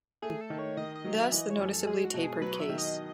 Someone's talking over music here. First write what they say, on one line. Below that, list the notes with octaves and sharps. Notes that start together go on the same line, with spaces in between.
Thus the noticeably tapered case.
A3 G#4
A4
D#3
C#5
D#3 D#5
D#5
F#3
E5
E3 D#5
C#5
F#2
A4
G#3 G#4
F#4
B2
G#4
F#3 B4
E5
D#3
D#5